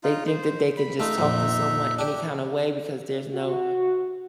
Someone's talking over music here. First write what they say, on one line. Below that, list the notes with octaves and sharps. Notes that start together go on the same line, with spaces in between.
They think that they can just talk to someone any kinda way because there's no,
D#4 F4
C5
B5
A3 D#4 F4 E5
A#1 F2
D4 G4
F#4